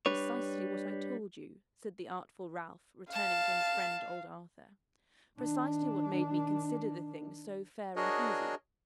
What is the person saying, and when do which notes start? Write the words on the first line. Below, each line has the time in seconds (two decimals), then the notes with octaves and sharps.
'Precisely what I told you,' said the artful Ralph, turning to his friend, old Arthur. 'Precisely what made me consider the thing so fair and easy.
0.06 G3 D4 B4 C#5
3.12 F5 A5
5.38 D#3 D4
7.96 D4 F#4 G#4 A#4 C#5 D#5